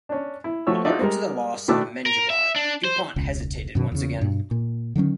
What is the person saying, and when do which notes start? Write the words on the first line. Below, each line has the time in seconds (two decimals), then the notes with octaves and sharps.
Alerted to the loss of Mengibar, Dupont hesitated once again.
0.09 C#4 D4
0.44 E4
0.67 F3 A3 F#4 C#5 E6
0.85 D4 D#4 F4 F#4 D5 E5
1.01 G3 G#3 A#4
1.68 B2 D#3 A3 D4 D6 E6
2.06 A#4
2.30 E5
2.56 D4
2.84 C5
3.16 E1 C#2
3.75 F#2 B2 D#3
3.92 E2 C#3
4.20 G2 B2
4.51 A#2
4.96 D3 D#3 F#3 C#4